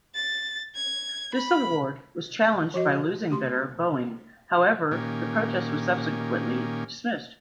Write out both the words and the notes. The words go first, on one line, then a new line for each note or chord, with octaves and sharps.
This award was challenged by losing bidder Boeing; however, the protest was subsequently dismissed.
A6
G#6
B5
F3 F#4 D#5
A3 G4 C6
A#2 D#3 A#3 C#4 G4 G#5